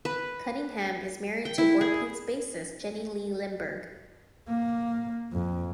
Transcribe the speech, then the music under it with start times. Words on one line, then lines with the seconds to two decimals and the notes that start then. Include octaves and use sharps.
Cunningham is married to Warpaint's bassist Jenny Lee Lindberg.
0.05 B4
1.45 G5
1.58 E4
1.81 G#4
4.49 A#3
5.33 F2